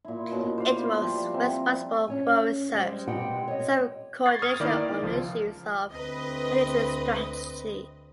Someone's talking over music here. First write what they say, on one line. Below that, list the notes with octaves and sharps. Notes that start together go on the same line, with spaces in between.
It was responsible for research, and some co-ordination, on issues of military strategy.
A#2 E4
B2 C#4
C5 D5 F5 B5
F3 G3
C4 E5 A#5
C#4 C#5 G#5
G3 G#3 C5
B2 G#3 C4 G4 F#5 G5
C#5 D#5
C#6 G#6 A6 C7
D#6 F6
D#3 A#3 B3 E4 D5
D5
C#2 F3 F4
D2 C4 B4 D#5